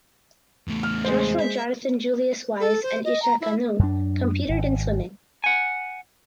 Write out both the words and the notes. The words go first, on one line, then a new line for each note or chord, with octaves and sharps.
Joshua Jonathan Julius Wyse and Isha Kanu competed in swimming.
E2 A3
F6
G#3 C5
E5
A4
C5
D#5
A#5
E4
F#2 D4
G#1
F#5 G#5